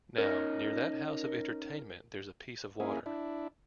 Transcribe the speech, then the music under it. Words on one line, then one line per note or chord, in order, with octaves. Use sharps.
Now, near that house of entertainment there's a piece of water.
C#4 D#4 A#4
A#3 C#4 E4 G#4
D4 E4